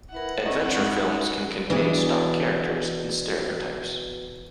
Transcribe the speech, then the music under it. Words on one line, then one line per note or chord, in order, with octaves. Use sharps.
Adventure films can contain stock characters and stereotypes.
E4 A#4 B4 E5 F#5
C4 D4 E4 D#5 A#5 C#6
G#2 D#4 A#4 B4 D#6
B2 E3 D4 G#4